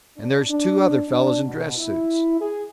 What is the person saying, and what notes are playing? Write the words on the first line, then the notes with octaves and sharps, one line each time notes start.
And there's two other fellows in dress suits.
D4
D4
D4
B2
E4
G#4